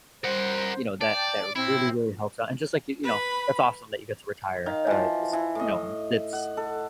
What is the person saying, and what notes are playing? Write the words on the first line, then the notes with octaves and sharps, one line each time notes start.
you know, that that really, really helps out, and just, like, you you know, that's awesome that you get to retire, uh, just you know, it's
G3 A#4 C5 F#5
D5 G5 A5
A2 C4 E4
B4 B5
D#3 F5
E3 F3
E3
A2 D#5
F#5
A4